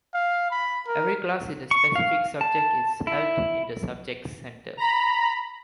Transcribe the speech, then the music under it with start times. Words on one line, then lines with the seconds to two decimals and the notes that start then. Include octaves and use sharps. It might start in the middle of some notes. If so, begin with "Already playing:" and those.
Every class in a specific subject is held in the subject's center.
0.14 F5
0.51 B5
0.87 A#4
1.71 C#6
1.96 F5
2.41 A5
3.07 E4
4.77 A#5 B5